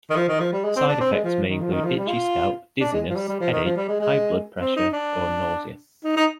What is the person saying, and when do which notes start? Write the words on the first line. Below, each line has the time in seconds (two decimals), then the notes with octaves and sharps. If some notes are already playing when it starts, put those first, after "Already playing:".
Side effects may include itchy scalp; dizziness, headache, high blood pressure or nausea.
0.10 D#3
0.16 F3
0.28 D#3
0.40 F3
0.52 G3
0.64 G#3
0.76 C4
0.88 D4
1.01 C4
1.12 G#3
1.24 F3
1.48 D#3
1.61 F3
1.72 D#3
1.84 F3
1.96 G3
2.08 F4
2.80 D4
2.92 G#3
3.10 F3
3.16 G3
3.28 G3
3.40 F3
3.52 D#3
3.64 F3
3.76 G3
3.88 G#3
4.00 G#3
4.60 C4
4.76 D#4
4.92 D4
6.04 D#4
6.16 D#4